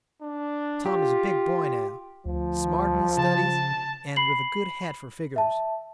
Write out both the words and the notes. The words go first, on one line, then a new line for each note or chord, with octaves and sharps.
Tom is a big boy now, smart in his studies and with a good head for figures.
D4
F4 G4
D2 F3
C#3 A5
B5 C7 F#7
E5 A5